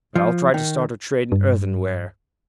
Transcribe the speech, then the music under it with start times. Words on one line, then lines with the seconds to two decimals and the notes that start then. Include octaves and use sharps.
But I will try to start a trade in earthenware.
0.15 F3
0.54 D#3
1.32 G2